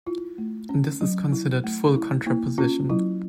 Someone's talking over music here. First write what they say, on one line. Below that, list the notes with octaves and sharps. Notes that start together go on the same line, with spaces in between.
This is considered full contraposition.
E4 F4
A3
C#4
F#3
E4
A3
E4
A#3 E4
C#4 F4
F#3 E4